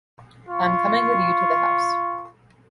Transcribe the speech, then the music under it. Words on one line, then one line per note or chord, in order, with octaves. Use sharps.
I'm coming with you to the house.
F4 C#6